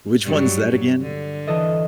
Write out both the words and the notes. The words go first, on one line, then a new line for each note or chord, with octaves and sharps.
Which one's that again?
G2 F#3
D3
E3 A4 D#5